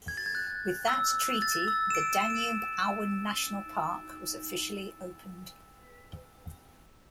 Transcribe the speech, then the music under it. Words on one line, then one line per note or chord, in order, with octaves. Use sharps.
With that treaty, the Danube-Auen National Park was officially opened.
G#6
A6
G#6
F#6
E6
A6
E6
E7
D7
E7
D7
E7